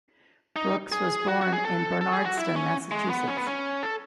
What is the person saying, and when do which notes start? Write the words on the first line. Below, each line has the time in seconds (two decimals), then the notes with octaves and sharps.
Brooks was born in Bernardston, Massachusetts.
0.56 D#4
0.92 G#4
1.28 F#4
1.41 F#4
1.53 G#4
1.65 A4
2.01 A4
2.13 G#4
2.25 F#4
2.37 E4
2.56 C#4
2.91 G#3
3.10 B3
3.27 C#4
3.37 B3
3.47 C#4
3.83 A4